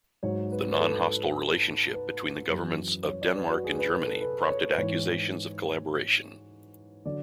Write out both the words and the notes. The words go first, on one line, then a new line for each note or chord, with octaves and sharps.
The non-hostile relationship between the governments of Denmark and Germany prompted accusations of collaboration.
G#2 F#3 C#5
B4
B4
A4
B4
F#2 E3
C#5
D5
B4
F#4
G#4
B4
B4
A4
B4
C#5
B4
G#2 E3 C#5
D3 F#3 D5